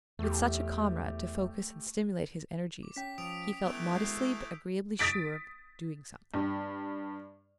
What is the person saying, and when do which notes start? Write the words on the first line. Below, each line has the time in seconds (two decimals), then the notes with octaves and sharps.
With such a comrade to focus and stimulate his energies he felt modestly but agreeably sure of "doing something".
0.19 E2 A3 G4
2.83 D6
2.96 C#4 G5 B6
3.18 F3 D#6 D7 F7
3.65 E3 A3 B3 E6 D7 F7
3.93 G#3 F#4 G6 C7
4.99 D#6 A6 B6 D7
6.34 G2